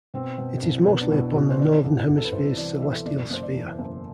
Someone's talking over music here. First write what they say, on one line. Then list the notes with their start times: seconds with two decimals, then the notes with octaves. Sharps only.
It is mostly upon the Northern Hemisphere's celestial sphere.
0.14 B2 C4
0.38 B2
0.62 C2
0.87 B2 B3
1.01 D4
1.11 B2 E4
1.36 C2 F#4
1.51 C5
1.59 E3 D5
1.85 C2
2.09 C2
2.18 A4
2.25 B4
2.32 C2 C5
2.57 E3 D5
2.81 E3 E5
3.05 F#1 D5
3.30 F#1 C5
3.43 D5
3.54 E2
3.79 F#1